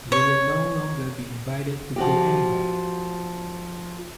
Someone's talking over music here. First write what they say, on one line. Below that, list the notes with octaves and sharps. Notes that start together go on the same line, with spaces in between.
You will no longer be invited to go anywhere.
C#5
F3 F#4 G4